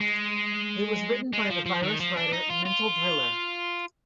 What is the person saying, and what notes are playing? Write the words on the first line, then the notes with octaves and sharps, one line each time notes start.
It was written by the virus writer "Mental Driller".
G#3
G#3
F3
F3
D#3
F3
D4
D#4
F4
F4